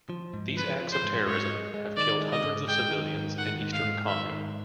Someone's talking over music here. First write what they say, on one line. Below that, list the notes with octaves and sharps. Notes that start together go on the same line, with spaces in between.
These acts of terrorism have killed hundreds of civilians in Eastern Congo.
F3
G#2
F3 B4
F3
C5
G#2
G#2 C#5
G#3
G#3
D#3 D5
G#3
D#5
G#2
G#3 G5
D#3
G#2
D#3 F#5
G#2
F5
G#2
D#3 E5
G#2